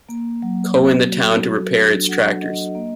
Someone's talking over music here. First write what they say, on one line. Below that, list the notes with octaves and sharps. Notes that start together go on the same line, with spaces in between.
Co in the town to repair its tractors.
A#3
F#3
F#3
F#4
A4
D4
F#5
D#5
A#3